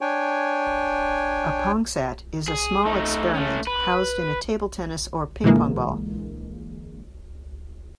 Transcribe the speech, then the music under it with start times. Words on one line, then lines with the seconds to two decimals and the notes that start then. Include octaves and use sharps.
A PongSat is a small experiment housed in a table tennis or ping-pong ball.
0.01 D4 C#5 G5 G#5
2.48 G#4
2.85 A3 D#4
3.34 A3 C#4
3.67 B4
5.44 A#2 D3 E3 G#3 A#3